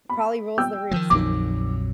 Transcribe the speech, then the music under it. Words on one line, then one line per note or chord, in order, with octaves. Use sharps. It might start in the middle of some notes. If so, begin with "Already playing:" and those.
Probably rules the roost.
B5
G5 E6 G6
D#3 F3 G#3
A#1 F2 D#3 F#3 D6